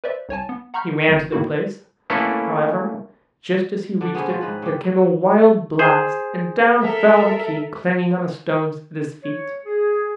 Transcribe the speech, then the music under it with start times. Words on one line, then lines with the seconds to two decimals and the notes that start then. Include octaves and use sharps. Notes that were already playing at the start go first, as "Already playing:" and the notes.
He ran to the place, however: just as he reached it there came a wild blast, and down fell the key clanging on the stones at his feet.
0.04 B4 C5 D5 E5
0.29 C2 C#5 G#5 A5
0.49 B3
0.74 F#5 A#5 B5 C#6 F6 G6
1.08 G#1 F2 F#3
1.32 A2 D#3 A#3 D#4 E4 F#4
2.10 A3 A#3 C#4 E4 A4 B4
4.01 D3 D4
4.15 B3 C#4 G#4 C5
4.28 F3 C#4 C5
4.41 G#2 D#3 B4
4.62 C#3 G4
5.79 G#4 C5
6.82 A4 A#4 E5
9.24 C#5
9.64 G#4